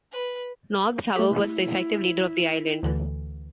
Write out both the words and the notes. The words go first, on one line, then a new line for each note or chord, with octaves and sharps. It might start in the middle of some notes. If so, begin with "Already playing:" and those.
Nobbs, however, was the effective leader of the island.
B4
A3 G4 A4
E4
D2 D3 E3